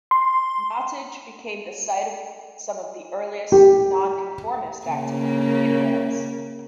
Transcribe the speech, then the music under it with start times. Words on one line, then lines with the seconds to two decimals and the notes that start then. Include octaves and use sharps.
Nottage became the site of some of the earliest Nonconformist activity in Wales.
0.11 C6
3.52 G4
4.86 C#3 A#3